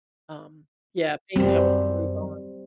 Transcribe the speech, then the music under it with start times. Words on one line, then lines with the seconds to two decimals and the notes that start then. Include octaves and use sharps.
um, yeah, being able to move on.
1.36 F#2 D#3 G3 C4